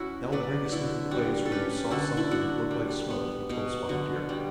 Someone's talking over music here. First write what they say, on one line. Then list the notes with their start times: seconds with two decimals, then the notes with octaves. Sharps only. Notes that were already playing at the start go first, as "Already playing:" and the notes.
"That will bring us near the place where you saw something that looked like smoke," he told Spotted Deer.
Already playing: C#4 E4 F#4
0.32 F#3 B4 D5
0.66 F#4
0.72 D3 E4
1.11 G3 F#4
1.46 A4
1.51 C#4 G4 B4
1.91 D3 F#4 A4
2.17 E4
2.31 D4 F#4
2.71 G3
3.10 B3
3.49 B2
3.89 D3 F#4
4.29 G3